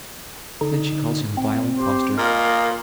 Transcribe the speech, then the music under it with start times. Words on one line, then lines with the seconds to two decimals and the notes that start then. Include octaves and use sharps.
Then she calls him vile impostor.
0.61 D3 D#4
1.37 C4
1.77 G4 C5
2.18 A#2 A#4 D#5 F5